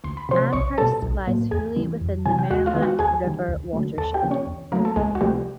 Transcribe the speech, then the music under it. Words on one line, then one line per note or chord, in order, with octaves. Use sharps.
Amherst lies fully within the Merrimack River watershed.
D2 C6
B5
C3 F3 C5 C6
B1 C#5 C#6
B2 G3 A4 A5
B1
A2 F#3 A#3
E2 G#4 G#5
C#3 E3 G3
F2
C3 E3 G3 G#5
G5
D#2 F#4 F#5
F4 F5
D#3 G#3 B3
F#4 F#5
D#2 G#4 G#5
D#3 G3
D2
D3 F#3 A3
D#2 A4 A5
G4 G5
C#3 F3 A#3
C#4 C#5
E2
C#3 F#3 A3 A#3 A#4
A4
C#2 G#3 G#4
F#4
C3 F3 G3 A3 G4